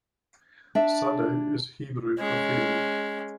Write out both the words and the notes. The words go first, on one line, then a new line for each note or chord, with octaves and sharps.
Sadeh is Hebrew for "field".
D4 E5
G#3 C#4